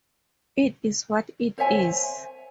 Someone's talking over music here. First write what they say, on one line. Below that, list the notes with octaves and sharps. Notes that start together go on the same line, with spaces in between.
It is what it is.
C5 C#5 E5 G#5